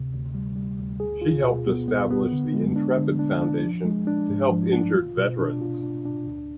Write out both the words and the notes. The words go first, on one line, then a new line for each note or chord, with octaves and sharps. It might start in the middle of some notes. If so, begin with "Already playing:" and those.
She helped establish the Intrepid Foundation to help injured veterans.
Already playing: D2 C3
D2
G3
G3
D2
G#4
F4
B2
B3
B3
B3
D3
G#3
D4
D3
D4
D4
F3
G#3
D4
G#2
F3
D4
F4
B2
D4
F4
D4
D4
D2